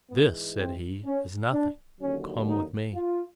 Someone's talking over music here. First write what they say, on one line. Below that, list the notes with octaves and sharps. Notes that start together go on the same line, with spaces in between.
"This," said he, "is nothing; come with me."
G#2 E3 G#3 B3
C4
C#4
D4
D#2 D3 F#3 C#4
D#4
F4